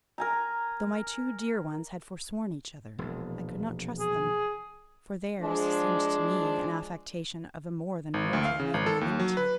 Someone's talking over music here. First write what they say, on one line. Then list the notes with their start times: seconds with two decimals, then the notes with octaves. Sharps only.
Though my two dear ones had forsworn each other, I could not trust them, for theirs seemed to me an affectation of a more than mortal magnanimity.
0.18 A#4 G#5 A#5
2.99 E1 A#1
4.00 G#4
5.41 F3 G#3 D4
8.14 G#1
8.33 D2
8.45 F5
8.59 C#3
8.74 G#1
8.86 A4
9.01 D#2
9.20 F#3
9.37 B4